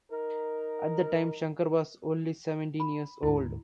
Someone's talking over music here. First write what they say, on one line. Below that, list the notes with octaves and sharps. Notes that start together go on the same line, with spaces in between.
At that time Shankar was only seventeen years old.
D#4 A#4
B5
D2 G#2 E4